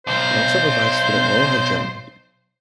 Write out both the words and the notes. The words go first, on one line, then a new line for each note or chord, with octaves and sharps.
It also provides student loans in Germany.
B1 C5